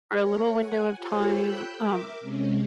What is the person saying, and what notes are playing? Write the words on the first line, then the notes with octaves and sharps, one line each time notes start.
for a little window of time, um,
A#4 C#5
F#5 G#5
F4 G4 A4 C5 C#5
G5 B5 E6 F#6 G6
A#4 E5 D6
C3 G#3 C#4